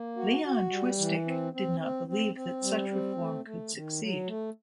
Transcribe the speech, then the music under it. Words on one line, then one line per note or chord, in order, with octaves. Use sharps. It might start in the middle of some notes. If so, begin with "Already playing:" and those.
Leon Chwistek did not believe that such reform could succeed.
Already playing: A#3
F#4
F#4
G3
E3
C4
C4
C4
C4
C4
G3
C4
A3
A3
D#3
F#3
A3